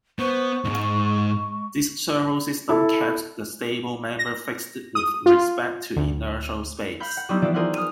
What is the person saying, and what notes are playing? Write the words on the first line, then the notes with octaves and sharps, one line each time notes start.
This servo system kept the stable member fixed with respect to inertial space.
B3 C5 C#6
B1 G#2 G#3
E4 A4
A#6
D#6
F4
D2
F5 B5 G6
F#5
F#3 G3 B3 C4 D#4 E4
E3 F3 E4 F4 D5
F4 G#4 A#4 C5 D5 F#5
D#6 F6 D#7